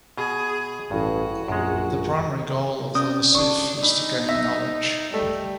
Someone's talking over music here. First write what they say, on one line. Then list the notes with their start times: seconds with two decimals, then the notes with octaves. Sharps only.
The primary goal of the Ly-Cilph is to gain knowledge.
0.17 B2 G#4
0.91 A1 G2 F#4
1.48 A#1 F#2 G#3
2.95 C4 C#4 D5 D#6
3.35 D4 C#6
3.82 D4 D#4 B5
4.29 E5 A#6
5.14 G3 A3